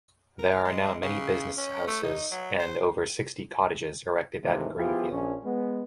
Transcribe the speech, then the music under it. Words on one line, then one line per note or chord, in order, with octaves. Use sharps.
There are now many business houses and over sixty cottages erected at Greenfield.
A#4
G#3
C#3
C#4
A3
D#4
F#3
C5
D#2 G#2 C3 E3 A3
F3 B3 E4 F4 G4 G#4
A#1 A#2 C#4
G#3 B3